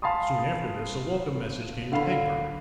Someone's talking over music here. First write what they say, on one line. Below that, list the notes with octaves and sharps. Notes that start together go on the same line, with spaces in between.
Soon after this a welcome message came to Egbert.
F5 G#5 A5 B5 C6 D#6
D3 F5 B5